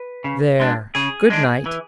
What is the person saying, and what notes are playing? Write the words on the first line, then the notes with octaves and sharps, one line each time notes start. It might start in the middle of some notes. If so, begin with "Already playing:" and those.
There, good-night.
Already playing: B4
C#3
G#3 D4
C#3 G#4
G#3 D4
E3